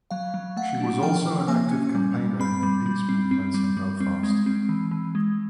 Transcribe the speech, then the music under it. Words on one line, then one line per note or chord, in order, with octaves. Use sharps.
She was also an active campaigner in the peace movements in Belfast.
F#3 F5
F#3
A3 F#5
D4
F3 G5
F3
A#3 G#5
C#4
G3
G3
C4 B5
G3
G3
C4
C4
G3
G3
C4
G#3
C4
E3
E3
G#3